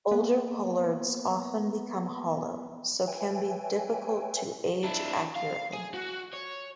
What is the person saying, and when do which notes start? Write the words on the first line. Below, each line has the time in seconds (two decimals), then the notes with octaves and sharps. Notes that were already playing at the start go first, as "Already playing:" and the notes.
Older pollards often become hollow, so can be difficult to age accurately.
0.11 A#3 B3
3.07 B4 C#5 E5 G5 G#5
4.84 D4 E4
5.36 F5
5.73 G#4
5.94 F#4
6.33 C#5